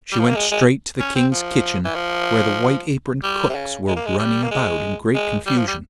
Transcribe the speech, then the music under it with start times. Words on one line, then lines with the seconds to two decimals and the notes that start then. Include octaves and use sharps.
She went straight to the King's kitchen, where the white-aproned cooks were running about in great confusion.
0.12 G3
0.19 F3
0.29 A#3
0.36 G#3
0.51 G#3
0.99 C#4
1.15 C4
1.32 F3
1.85 E3
1.95 F3
3.23 G3
3.49 C3
3.55 C#3
3.87 G#3
3.96 A#3
4.06 G#3
4.19 G3
4.43 A#3
4.51 G#3
5.15 G#3
5.46 G3
5.57 F3
5.68 G3